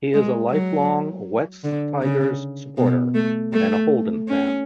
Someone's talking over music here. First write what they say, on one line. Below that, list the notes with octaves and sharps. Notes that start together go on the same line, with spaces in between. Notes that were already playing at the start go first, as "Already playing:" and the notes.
He is a lifelong Wests Tigers supporter and a Holden fan.
G#3
F#3
D3
C#3
B2
A3
A3
C#4